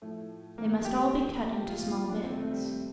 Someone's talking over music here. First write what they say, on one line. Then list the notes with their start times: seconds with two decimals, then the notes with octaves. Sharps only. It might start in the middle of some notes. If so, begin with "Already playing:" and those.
They must all be cut into small bits.
0.02 A2 F3 A3
0.57 G2 D#3 A#3
0.85 G4
1.13 A#2 F3
1.68 A#2 F3 F4
1.82 F4
1.96 F4
2.09 D4
2.23 F2 C3 D#3 C4
2.37 A3
2.51 G3
2.65 A3